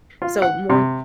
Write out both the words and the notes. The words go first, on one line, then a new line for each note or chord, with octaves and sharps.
So, more
F4
F#5
C3